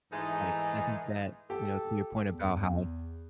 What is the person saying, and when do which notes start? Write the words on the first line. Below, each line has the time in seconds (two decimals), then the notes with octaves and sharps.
Like, I think that, you know, to your point about how
0.12 G#2 E3 G#3 A3 D#4
1.50 G4 A4
2.27 E2